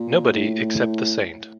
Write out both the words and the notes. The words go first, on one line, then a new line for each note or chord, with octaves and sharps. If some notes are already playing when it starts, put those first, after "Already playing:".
Nobody, except the saint.
Already playing: A#2
A2